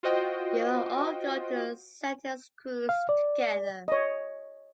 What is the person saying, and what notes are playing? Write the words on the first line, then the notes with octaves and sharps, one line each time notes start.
You will all go to Santes Creus together.
F4 F#4 C5 D#5 G5
F5
D5
C#5 D#5